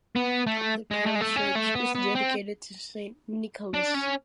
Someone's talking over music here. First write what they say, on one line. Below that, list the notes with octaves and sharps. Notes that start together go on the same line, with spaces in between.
The parish church is dedicated to Saint Nicholas.
B3
A3
G#3
A3
G#3
A3
C#4
A3
B3
B3
C4
D4
C#4